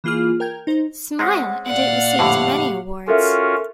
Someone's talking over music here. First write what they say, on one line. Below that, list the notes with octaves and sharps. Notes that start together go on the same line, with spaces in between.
Smile and it received many awards.
E3 A#3 F4 G#4 F6
A#4 G5 G6 G#6
D#4 C5
G#3 C4 C#4 F#5
A#2 D5 F5 F#5
F2 A2 D3 G4
C#4 F4 F#4 A4 A#4 E5